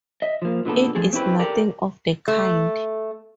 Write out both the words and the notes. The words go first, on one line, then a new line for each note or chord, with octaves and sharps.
It is nothing of the kind.
D#5 E5
F3 A#3
A#2 D3 B3 A4
F2 F3 A3 G#4 A4
C4 C#4 E4 G4 B4
G4 A4 A#4 D5
A3